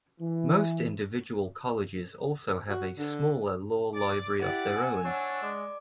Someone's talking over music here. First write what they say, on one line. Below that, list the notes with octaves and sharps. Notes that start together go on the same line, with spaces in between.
Most individual colleges also have a smaller law library of their own.
E3
F#4
D3
D5 D6
E4 G4 D5 F#5
G#5 E6
D4 C#5 F#5 C#6
G#3 D5 D6